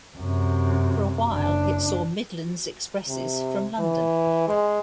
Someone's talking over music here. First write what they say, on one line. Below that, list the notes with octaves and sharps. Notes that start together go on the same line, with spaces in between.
For a while it saw Midlands expresses from London.
F#2 C3
F#1 D4
C3
E3
G#3